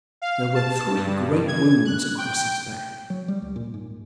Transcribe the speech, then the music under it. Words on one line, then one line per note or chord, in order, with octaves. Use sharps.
There were three great wounds across his back.
F5
A5
G2
G#6
F#6
G5
F#3
G3
C#2
A#2
G#2